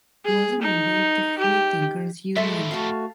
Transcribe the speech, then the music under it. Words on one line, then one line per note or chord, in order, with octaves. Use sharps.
Was a member of the Freethinkers Union.
G#4
D#4
G4
F2 A2 G#3 A4 E5 C6
A3 F#4 F5 A5